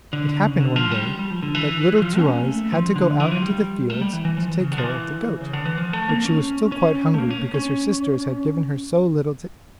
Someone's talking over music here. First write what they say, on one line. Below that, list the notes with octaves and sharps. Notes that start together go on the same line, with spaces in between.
It happened one day that Little Two-eyes had to go out into the fields to take care of the goat, but she was still quite hungry because her sisters had given her so little to eat.
D3
D3
C#3
D3
F3
G3
G3
G3
F3
D3
E3
F3
D4
C#4
A#3
A3
F3
D3
E3
F3
G3
A3
G3
E3
E3
F3
E3
C#3
D3
F3
E3
C#3
D3
E3
F3
A3
A#3
C#4
C#4
A3
A#3
C#4
C#4